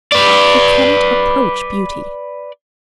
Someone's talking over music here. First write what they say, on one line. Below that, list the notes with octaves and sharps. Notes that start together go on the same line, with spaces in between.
We cannot approach beauty.
B4 D5